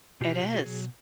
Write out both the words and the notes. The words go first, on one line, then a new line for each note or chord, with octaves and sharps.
It is.
B2 F4 G4
B2
F#4 G#4
F#3